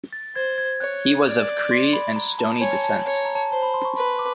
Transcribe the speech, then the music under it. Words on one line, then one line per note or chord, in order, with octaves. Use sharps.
He was of Cree and Stoney descent.
A6
C5 G#6
G#6
C#5 F#6
D5
C6
B5
A#5
A5
C#5 G#5
A5
A5
A5
C#5 A#5
A5
A#5
A5
C5 A5
B5
C6
C#6
B4 C6
D6